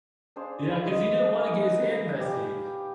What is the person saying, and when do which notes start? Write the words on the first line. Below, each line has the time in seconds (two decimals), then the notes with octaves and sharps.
Yeah, 'cause he didn't wanna get his hand messy.
0.36 D4 G#4 C5 F5
0.70 E4
0.85 G#3 C#4 D#5
1.32 B3 D#4 G#5
1.62 B4 C#5
2.20 G4 F5 G#5